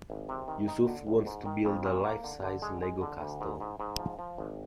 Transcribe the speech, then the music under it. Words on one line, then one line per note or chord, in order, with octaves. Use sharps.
Yusuf wants to build a life-size Lego castle.
G#1
C3
D#3
D#4
D3
A#1
G#2
D#3
F2
A#2
A#3
D3
D3
G#3
G#3
D3
D2
G#2
G#2
G#2
F3
F3
G#1